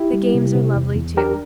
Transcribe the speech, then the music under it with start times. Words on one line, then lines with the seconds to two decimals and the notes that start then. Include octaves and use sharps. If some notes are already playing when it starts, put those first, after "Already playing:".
The games are lovely, too.
Already playing: E4 G4
0.13 G3
0.34 C3
0.55 C3
0.75 E2
0.96 E2
1.17 D4 G4 A#4